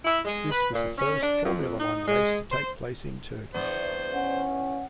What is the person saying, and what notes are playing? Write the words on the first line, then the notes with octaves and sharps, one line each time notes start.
This was the first Formula One race to take place in Turkey.
E4
G#3
B4
A#2
C#4
D4
F2
D#4
G#3
C5
E2 B3 D4 C5
C#4 F#5